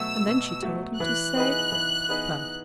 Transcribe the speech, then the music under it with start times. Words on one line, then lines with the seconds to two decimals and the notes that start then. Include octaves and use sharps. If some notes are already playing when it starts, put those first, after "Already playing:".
And then she told him to say papa.
Already playing: B2 F#3 A3 E6
0.27 B2
0.63 F#3 A3
0.99 E3 F#6
1.36 B3 D#4 G#4 B4
1.72 E3
2.09 B3 D#4 G#4 B4